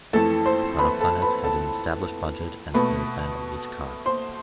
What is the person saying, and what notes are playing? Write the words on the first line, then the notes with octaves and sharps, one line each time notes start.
The product planners had an established budget and sales band on each car.
F2 E3 A3 A4 A5
C5 C6
B4 B5
A4 A5
B4 B5
A4 A5
B2 A3 B4 B5
C5 C6